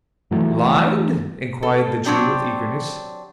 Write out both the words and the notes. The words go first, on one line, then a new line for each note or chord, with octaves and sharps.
'Lined?' inquired the Jew, with eagerness.
G2 E3 F#3 A3
A4
F#3 C4 D4 G4